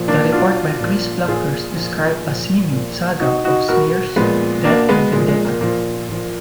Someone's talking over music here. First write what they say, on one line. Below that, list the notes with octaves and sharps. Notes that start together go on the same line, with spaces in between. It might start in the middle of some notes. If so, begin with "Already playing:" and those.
The report by Chris Blackhurst described A seamy saga of smears, death and vendetta.
Already playing: A#2 F3
A#3 D4
B2 D4 F4
A#2 F3
A#2 F3 F4 G#4
A#2 F3
A#2 F3
A#2 F3
B2 D#4 F#4
D#4 F#4
B2 F#4 A#4
A#2 F3 G#3 B3
B2 A#3 D4
G#3 B3
A#2 F3 G#3
G#3
A#3
A#2 F3 A#3
A#2 F3